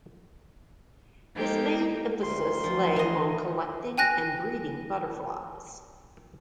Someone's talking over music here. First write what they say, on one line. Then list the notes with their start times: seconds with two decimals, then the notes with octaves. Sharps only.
His main emphasis lay on collecting and breeding butterflies.
1.35 G#3 A#3 D#4 G4 A4
2.23 D2 C6
2.64 F3
2.96 E3 D#5
3.98 G5 G#5 F#6 A#6